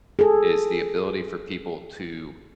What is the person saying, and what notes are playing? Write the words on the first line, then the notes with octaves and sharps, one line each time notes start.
is the ability for people to
G#4 A4